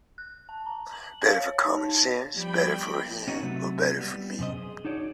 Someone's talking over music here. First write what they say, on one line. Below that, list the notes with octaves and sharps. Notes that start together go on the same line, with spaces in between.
Better for common sense, better for him, better for me.
F#6
A5
A#5
F#7
F5
C#5
D#4
A5
F3 G3 B3 G5 B5
C#4 D#4 F#4
C3 F#3 A3 B3
G3 B3
F#2 C3 C5 D#5
G#4
D4 D#4 F#4 C#5 D5